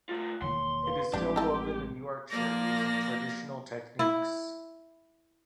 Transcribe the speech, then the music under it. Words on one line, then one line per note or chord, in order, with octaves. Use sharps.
It is still woven in Yorkshire using traditional techniques.
A3 F4
E1 D#3 A#3 C#5 C6
B4 F5
A1 F3 G#3 C4 D4 G4
D#4 A4
F3 A#3 D5 A#6
E4